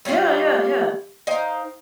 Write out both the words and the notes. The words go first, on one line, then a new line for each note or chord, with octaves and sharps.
Yeah, yeah, yeah.
G3 C#4 F4 G4
D#4 C5 F5 G5